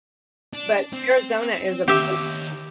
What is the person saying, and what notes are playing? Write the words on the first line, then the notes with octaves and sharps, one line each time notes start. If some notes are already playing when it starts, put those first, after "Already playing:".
but Arizona is a pla
D4
C4
D#3 G4 C#5 E5